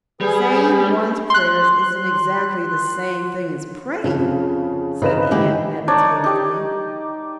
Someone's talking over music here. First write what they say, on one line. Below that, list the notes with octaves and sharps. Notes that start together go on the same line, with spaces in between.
"Saying one's prayers isn't exactly the same thing as praying," said Anne meditatively.
G3 G#4 B4
C6 F#6
F2 C#3
C#3 C4 D#4 B4 E7
A2 D3 G#3 E4 G4
D4 D#4 C#5 D5
D#4 G4 D5